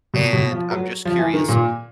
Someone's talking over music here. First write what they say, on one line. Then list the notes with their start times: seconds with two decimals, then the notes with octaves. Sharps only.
and I'm just curious,
0.14 B2
0.33 B2
0.51 F3
0.71 F#3
1.05 F3
1.19 E3
1.34 D#3
1.49 A#2